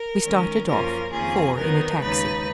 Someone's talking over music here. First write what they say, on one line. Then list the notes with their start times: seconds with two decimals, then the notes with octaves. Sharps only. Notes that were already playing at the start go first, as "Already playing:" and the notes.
We started off--four in a taxi.
Already playing: A#4
0.23 D#3 G#3 C#4
0.67 F#2 F3 A#3 C#4 F4 A#4
1.11 F2 D#3 A#3 C#4 F4 G#4
1.56 D#3 F#3 B3 D#4 A#4
2.01 D#2 C#3 G#3 D#4 B4